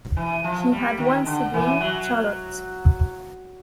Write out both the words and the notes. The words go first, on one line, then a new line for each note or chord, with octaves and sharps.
He had one sibling, Charlotte.
E3
F3
G3
D#3
D3
E3
F#3